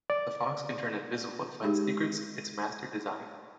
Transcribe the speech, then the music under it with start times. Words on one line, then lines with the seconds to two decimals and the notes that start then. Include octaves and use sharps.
The fox can turn invisible and find secrets its master desires.
0.10 D5
1.63 G#3 D#4 G4 G#4